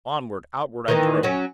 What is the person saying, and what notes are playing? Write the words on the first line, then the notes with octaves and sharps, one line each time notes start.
Onward, outward, I drove.
D#3 E3 A#3
F#3 C#4